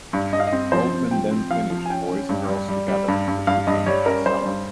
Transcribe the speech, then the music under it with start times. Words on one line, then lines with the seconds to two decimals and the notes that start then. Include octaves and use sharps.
Goldman then finished "Boys and Girls Together" which became a best seller.
0.13 G2
0.33 G2 D#5
0.40 F5
0.47 D#5
0.52 C4
0.72 F3 C5
0.92 C4
1.11 F3 G5
1.31 C4
1.50 F3 F5
1.70 F3
1.86 G#5
1.90 C#4 G5
2.10 C#4
2.29 G2
2.49 G3
2.69 G3
2.88 G3
3.08 G2
3.28 G2
3.47 G2 F5
3.67 G2 D#5
3.86 G3 C#5
4.06 C#4 A#4
4.26 G3 C5
4.45 G2